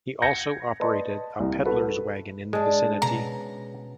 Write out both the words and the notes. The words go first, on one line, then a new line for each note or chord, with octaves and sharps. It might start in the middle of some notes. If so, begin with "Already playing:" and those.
He also operated a peddler's wagon in the vicinity.
G6 G#6 A#6 C#7
B4 D5 D#5 A5 C6
C2
F#4 A4 B4
G#2 G#3 D4 A5
B2 B3 C#4 A#5